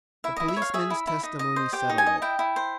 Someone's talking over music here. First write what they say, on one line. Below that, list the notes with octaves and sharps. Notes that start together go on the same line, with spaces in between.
The policeman's testimony settled it.
E4 E5
E4 D#5
E5
C#5
F5
G#4 E5
E4
E4
D#4
D#5
C5
G4 G5
D#4
G#5
D#5
E4 G5
E4
C5